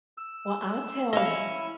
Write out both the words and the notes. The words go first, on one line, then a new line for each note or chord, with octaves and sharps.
Well, I'll tell ya.
E6
C#4 E4 D#5 F5